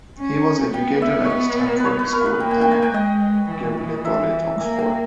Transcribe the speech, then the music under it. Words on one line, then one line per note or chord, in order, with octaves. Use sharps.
He was educated at Stamford School and at Keble College, Oxford.
C#4
B3 G5
E5
C#5 D#5
B4
C#5
B4
A#4
B4
A#3 G5
G#5
G5
G#5
G5
G#3 D#5
E3
E5
A#3 G#5
G5